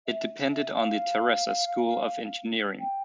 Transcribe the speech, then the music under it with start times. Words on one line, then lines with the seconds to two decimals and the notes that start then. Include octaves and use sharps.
It depended on the Terrassa School of Engineering.
0.07 E5
0.52 E5
0.75 F5
2.79 G5